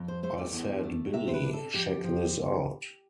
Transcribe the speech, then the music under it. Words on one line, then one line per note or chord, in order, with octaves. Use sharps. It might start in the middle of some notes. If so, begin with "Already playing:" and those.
I said, Billie, check this out.
Already playing: F2
C5
A3 C5
D5
E2
A3
C3 E5
C5
B4
D4
A4
F2 G4
F3